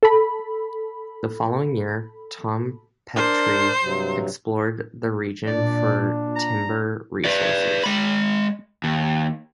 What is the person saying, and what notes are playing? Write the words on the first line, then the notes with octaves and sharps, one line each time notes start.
The following year, Tome Petrie explored the region for timber resources.
A4 B5
D4 A#4 C5 D5
G2 C3 F#3
A#2 D4 D5
A#5
B4 D5
G#3 B5
D#2